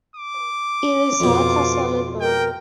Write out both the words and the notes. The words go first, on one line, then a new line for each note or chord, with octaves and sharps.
It is water-soluble.
D6
F2 B2 F4
A#4 G5